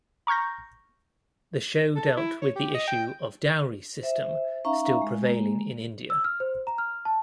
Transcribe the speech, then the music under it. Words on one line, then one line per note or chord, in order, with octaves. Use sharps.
The show dealt with the issue of dowry system still prevailing in India.
A#5 C#6 F6 G6 A#6
A4
E4
C#5
G4
D#5
G5
C5 E5
C#4 D#4 E5 F5 A#5 C#6
G#3
G#3 A#3
E6
F6
C5
A#5
F6
A5